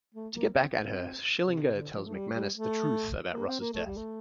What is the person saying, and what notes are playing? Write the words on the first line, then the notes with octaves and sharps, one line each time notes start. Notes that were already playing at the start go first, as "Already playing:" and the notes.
To get back at her, Schillinger tells McManus the truth about Ross' death.
A3
A#3
C4
C4
C3
C3
D3
F3
A3
G3
G3
A3
A#3
C4
A#3
A3
G3
A3